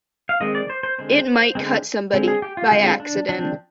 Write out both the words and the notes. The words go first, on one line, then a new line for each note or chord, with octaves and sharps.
It might cut somebody, by accident.
F5
D#3 G#3 C4 D#5
D5
C5
C5
D3 G#3 C4 C5
D3 G#3 C4
D3 G#3 C4
G#4
G4
F4
G4
D3 G#3 C4 F4
D4
F3 C4 D4